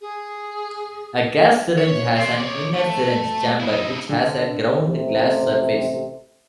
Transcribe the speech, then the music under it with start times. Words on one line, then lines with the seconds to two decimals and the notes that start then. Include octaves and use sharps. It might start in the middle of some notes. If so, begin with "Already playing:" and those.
A gas syringe has an inner syringe chamber which has a ground glass surface.
0.01 G#4
1.78 C#5
2.17 C5 E5
2.37 C#5 D5
2.74 A3
3.60 D#4 E4
4.09 D3
4.86 A1 C3